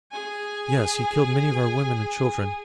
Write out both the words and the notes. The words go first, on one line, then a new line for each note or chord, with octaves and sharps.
Yes, he killed many of our women and children.
G#4 G#5